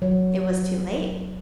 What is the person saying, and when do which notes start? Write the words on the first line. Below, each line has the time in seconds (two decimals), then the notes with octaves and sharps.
"It was too late?"
0.02 F#3